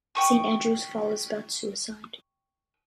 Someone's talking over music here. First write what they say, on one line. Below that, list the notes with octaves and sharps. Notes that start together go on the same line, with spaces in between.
"Saint Andrew's Fall" is about suicide.
G5 C#6 D#6